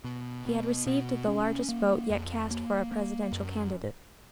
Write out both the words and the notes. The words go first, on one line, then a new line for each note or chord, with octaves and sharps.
He had received the largest vote yet cast for a presidential candidate.
B2
B2
B2
C#4
A#3
F2
A#3
A#3
F#2